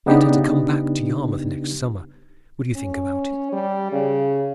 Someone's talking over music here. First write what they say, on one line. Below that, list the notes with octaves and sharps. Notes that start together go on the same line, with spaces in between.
If I get her to come back to Yarmouth next summer, will you think about it?
C#3 B3 D4 D#4 G4 B4
C#4
G3
C#3